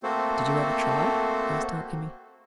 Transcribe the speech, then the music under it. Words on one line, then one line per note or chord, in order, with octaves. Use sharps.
"Did you ever try?" asked Aunt Emmy.
A3 A#3 C4 F#4 A4 C5